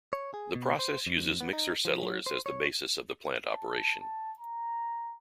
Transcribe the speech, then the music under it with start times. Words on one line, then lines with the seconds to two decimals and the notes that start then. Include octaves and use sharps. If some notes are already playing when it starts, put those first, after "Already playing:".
The process uses mixer settlers as the basis of the plant operation.
0.13 C#5
0.34 G#4
0.55 B2
0.79 C5
1.07 F2
1.41 B3
1.53 D#4
1.85 F3
2.03 F#3
2.26 C5
2.46 C#5
3.50 A5
4.01 A5
4.39 A#5